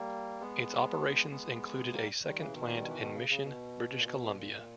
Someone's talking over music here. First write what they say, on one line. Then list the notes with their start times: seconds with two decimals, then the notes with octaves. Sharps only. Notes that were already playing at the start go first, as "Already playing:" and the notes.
Its operations included a second plant in Mission, British Columbia.
Already playing: G3 A#3
0.40 G#3 B3
1.31 G#3 B3
1.92 G3 A#3
2.23 D#3 G3
2.37 C#3 E3
2.53 B2 D#3
2.75 G3
2.88 E3
3.01 D#3
3.14 C#3
3.30 C#3
3.44 B2
3.98 A#2
4.05 B2
4.36 A#2